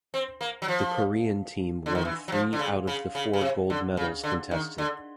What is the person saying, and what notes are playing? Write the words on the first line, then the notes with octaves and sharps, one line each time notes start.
The Korean team won three out of the four gold medals contested.
C4
A#3
F#3
F3
D3
D#3
E3
F#3
F3
D3
C#3
C#3
C#3
C#3
C3
D3
C#3
D3
D#3
D3